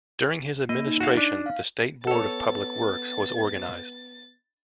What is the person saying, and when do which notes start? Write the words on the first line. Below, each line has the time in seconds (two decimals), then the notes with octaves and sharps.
During his administration, the State Board of Public Works was organized.
0.69 A#3 D#5
0.87 D#4
1.00 F#4 F5
1.17 D4
1.46 F5
2.07 B3 A4 C#5 A6